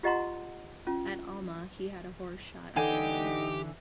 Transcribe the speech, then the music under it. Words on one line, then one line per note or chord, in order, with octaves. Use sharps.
At Alma he had a horse shot under him.
F4 G4 D#5 F#5 A#5 C6
C#4 F4
D3 E3 D#4 G4 A4 F#5 G#5